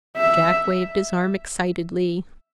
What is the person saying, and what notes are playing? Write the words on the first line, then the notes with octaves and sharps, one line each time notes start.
Jack waved his arm excitedly.
E5